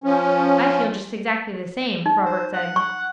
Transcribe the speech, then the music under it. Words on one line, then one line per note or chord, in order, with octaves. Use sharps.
'I feel just exactly the same,' Robert said.
F3 C#4
D#4
C5
F#5
C#6